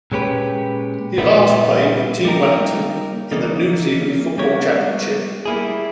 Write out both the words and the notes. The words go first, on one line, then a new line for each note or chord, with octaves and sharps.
He last played for Team Wellington in the New Zealand Football Championship.
A#2 G#3 C#4 G4 B4
A#2 G3 B3 E4
G3 A#3 D#4 G4 A#4
E3 A#3 D#4
G3 B3 G4 A#4 C#5
G3 A#3 E4 G#4